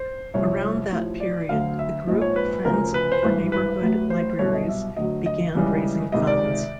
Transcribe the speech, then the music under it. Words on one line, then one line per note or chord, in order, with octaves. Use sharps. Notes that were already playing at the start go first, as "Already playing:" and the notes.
Around that period the group Friends for Neighborhood Libraries began raising funds.
Already playing: C5
C2 C3 F3 C#5
A1 A2 F3
D5
D2 D3 F#3 F5
E5
A#1 G#2 F3 D#5
C#5
B4
D2 C#3 F3 A#4
B4
C5
G#1 G2 E3 B4
B4
A1 A2 F#3
C5
C2 B2 F#3 C#5
D#5
E5
D2 D3 F#3 D#5
D#5
C#2 C#3 E3 G3
C#2 C3 D#3 D#5
D5